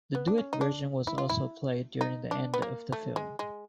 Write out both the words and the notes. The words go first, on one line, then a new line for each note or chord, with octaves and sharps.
The duet version was also played during the end of the film.
B3
D4
C#4
D#4
D4
E4
F4
E4
D#4
D4
B3
A#3
A3
G#3
G#3